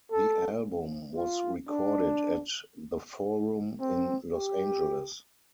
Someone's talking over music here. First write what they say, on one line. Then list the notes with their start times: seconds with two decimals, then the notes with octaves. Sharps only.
The album was recorded at The Forum in Los Angeles.
0.11 A4
1.17 F4
1.69 D4
3.81 C4
4.34 G4